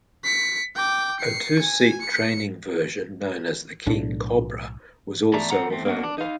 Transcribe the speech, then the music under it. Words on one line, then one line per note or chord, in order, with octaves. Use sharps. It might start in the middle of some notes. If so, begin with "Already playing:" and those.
A two-seat training version, known as the King Cobra was also available.
B6 C#7
G5 D6
C7 C#7
G#5
C#7
B1 A2 D4
E2 A2 D5 E5 A5 A#5
C4 A4 F#5 A#5
E2 A3 C4
A#3 B3 D4 F#4
D4
D#4 F5